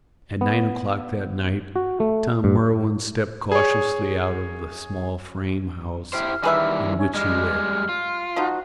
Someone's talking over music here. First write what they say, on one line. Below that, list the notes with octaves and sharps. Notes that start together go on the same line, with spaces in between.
At nine o'clock that night Tom Merwin stepped cautiously out of the small frame house in which he lived.
B3
F#4
A3
G2
G#4 C#5
E4 G4 C5 F6
D#3 E3 G3 G#4 B4 E5
C#4
G3 G#3 F6
F4
F3 D#4 F#4